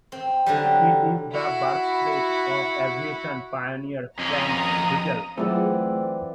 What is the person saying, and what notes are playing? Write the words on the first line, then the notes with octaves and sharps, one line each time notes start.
It is the birthplace of aviation pioneer Frank Whittle.
C4
D3 F#3 G3
E4 F#4
F2 C#4 A#5 D#6
E3 F#3 A3 C4 F4 G#4 D5 F#5